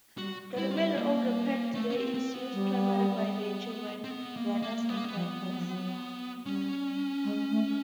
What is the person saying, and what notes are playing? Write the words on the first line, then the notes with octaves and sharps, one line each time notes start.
The remainder of the path today is used primarily by children, runners and bikers.
G3 F#4
G3 E4
F4
E4
A#3
A3
C#4
C4
C4
B3
G3
C4
B3
A#3
A#3
G3 B3
A#3
B3
F3
F#3
F3
F#3
G3 C#4
G#3
A3